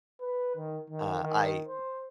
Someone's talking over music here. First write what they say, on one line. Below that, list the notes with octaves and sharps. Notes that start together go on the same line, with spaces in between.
uh, I
B4
D#3
D#3
D#3
C5